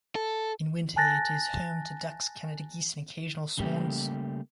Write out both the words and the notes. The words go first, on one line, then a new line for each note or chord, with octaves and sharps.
In winter it is home to ducks, Canada geese and occasional swans.
A4
G#5 A5 F#6 A6 A#6
C#3 G3 A3 A#3 G4